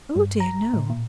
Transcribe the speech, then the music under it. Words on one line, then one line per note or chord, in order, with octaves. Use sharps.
'Oh dear, no!
G2
A#5
A2
A#2